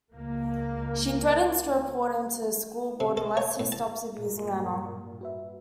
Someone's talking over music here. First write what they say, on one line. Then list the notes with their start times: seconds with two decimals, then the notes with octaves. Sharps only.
She threatens to report him to the school board unless he stops abusing Anna.
0.12 C#2 A#3
3.00 C3
3.17 A4
3.37 C#5
3.59 A2
3.72 A5
4.14 G2 A#2
4.50 G3
5.21 F#4 B4 E5